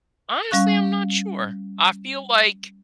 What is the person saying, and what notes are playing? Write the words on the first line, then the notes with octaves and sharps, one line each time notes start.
Honestly, I'm not sure. I feel like
G3 C#4 F5 C#6 F#6